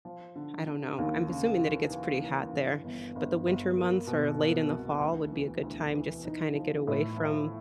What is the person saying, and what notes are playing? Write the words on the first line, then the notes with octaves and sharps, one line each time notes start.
I don't know. I'm assuming that it gets pretty hot there, but the winter months or late in the fall would be a good time just to kinda get away from
F3
D3
D3
D#2
C#3
E3
E3
E3
G2
G1
G1
G1
A#3
B2
A#3
C2
D2
E3
D2
E3
D#4
F3
A2
F3